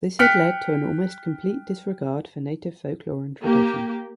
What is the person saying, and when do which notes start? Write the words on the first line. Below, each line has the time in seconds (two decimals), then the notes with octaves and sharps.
This had led to an almost complete disregard for native folklore and tradition.
0.19 G5 F6 F#6 B6 C#7
3.40 A#3 G4